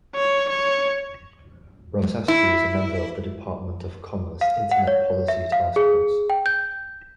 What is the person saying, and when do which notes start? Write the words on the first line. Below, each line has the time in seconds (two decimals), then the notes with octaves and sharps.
Ramasastry is a member of the Department of Commerce Internet Policy Task Force.
0.16 C#5
0.50 C#5
2.28 E4
4.41 F5
4.71 F#5
4.87 C#5
5.28 E5
5.52 F5
5.76 G#4
6.30 G5
6.46 G6